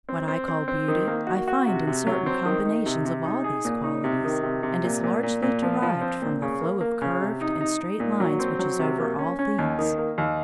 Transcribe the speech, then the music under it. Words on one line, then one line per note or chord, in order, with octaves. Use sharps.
What I call beauty I find in certain combinations of all these qualities, and is largely derived from the flow of curved and straight lines which is over all things.
C4
C4
C4
C4
D#3
A#3
F#4
F#4
C3
C3
F#3
C4
D#3
D#4
C3
C3
D#4
G#4
A#2
D#4
C3
D#3
C3
C3
A#2
A#2
A#2
A#2
F3
F3
C4
A#2
C#3
A#3
A#3
C#3
C3
D#4
D#4
D#4
A#2
F#3
C4
F#3
C3
A#3
C#4
C#4
D#2
D#3
A#3
D#2